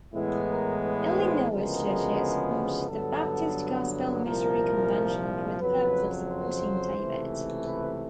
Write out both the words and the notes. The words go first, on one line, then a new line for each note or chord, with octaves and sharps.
Illinois churches formed the "Baptist Gospel Missionary Convention" for the purpose of supporting David.
A2 E3 G#3 B3 E4
A#4
B4
C5
D2 C#3 F3 G#3 B3 A#4
G2 D3 F#3 B3 A4
C2 A#2 F3 A#4
F2 C#3 F#3 B4
C5
C#2 C3 E3 A3
B4